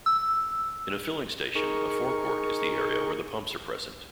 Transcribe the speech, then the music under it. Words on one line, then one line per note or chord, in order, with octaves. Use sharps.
In a filling station a forecourt is the area where the pumps are present.
E6
D#4 G#4 A#4 C#6